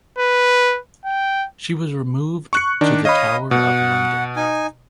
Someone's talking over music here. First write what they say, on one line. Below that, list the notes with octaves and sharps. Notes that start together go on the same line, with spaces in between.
She was removed to the Tower of London.
B4
G5
C#6 F#6 C#7
D#3 D4
C#5 D#5 F5 B5 D#6
B2 F#5
D#4 G#5